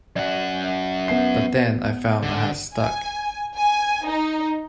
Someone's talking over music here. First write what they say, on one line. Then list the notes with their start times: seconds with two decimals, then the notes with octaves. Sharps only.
But then I found I had stuck.
0.16 F#2 D5 F#5
1.08 B3 C7
2.23 D3
2.75 G#5
3.56 G#5
4.06 D#4